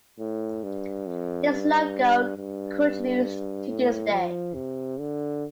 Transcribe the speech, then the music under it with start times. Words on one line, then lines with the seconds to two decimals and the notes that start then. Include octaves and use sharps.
This logo continues to this day.
0.19 A2
0.63 G2
1.07 F2
1.50 G2
2.37 G2
3.68 A2
4.12 F3
4.55 C3
4.99 D3